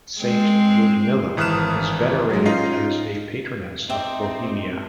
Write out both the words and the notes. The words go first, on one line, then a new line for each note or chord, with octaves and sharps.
Saint Ludmila is venerated as a patroness of Bohemia.
G#3 C4
G#1 E3 D#6 F6 F#6 E7
F#3 G#3
C#4 D#4 F4 D#5 C7
C4 D#4 D5 E5 G5